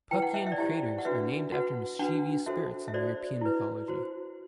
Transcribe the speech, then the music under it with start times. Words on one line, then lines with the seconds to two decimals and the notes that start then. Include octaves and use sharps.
Puckian craters are named after mischievous spirits in European mythology.
0.11 E4 B4 G5
0.22 F#5
0.34 E5
0.47 E5
0.52 D5
0.58 E4 G4 C5 E5
0.98 F#5
1.05 D4 F#4 B4 E5
1.52 F#4 B4 F#5
1.99 D4 F#4 B4 F#5
2.46 F#4 A4 C5 E5
2.88 E5
2.94 F#4 A4 C5 D5
3.41 E4 B4
3.88 F#4 C5